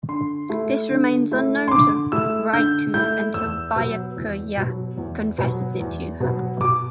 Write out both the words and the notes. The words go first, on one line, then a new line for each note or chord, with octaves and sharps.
This remains unknown to Rukia until Byakuya confesses it to her.
D3 C6
A3 E4
D3
A3 E4
C6
D3 D6
A3 E4 E6
D3 G6
A3 E4 G6
E2 E6
B2 F#3 B3
E2
B2 F#3 B3
E2
B2 F#3 B3
E2
B2 F#3 B3
B2 D6